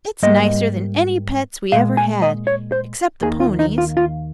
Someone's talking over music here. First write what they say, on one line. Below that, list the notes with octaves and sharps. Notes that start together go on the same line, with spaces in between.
It's nicer than any pets we ever had, except the ponies.
G#2 G3 A#3 D#5
A#2 G#3 F5
G#5
D#5
C#5
C5
D#2 D#3 A#3 G#4
F4
D#4
F4
F4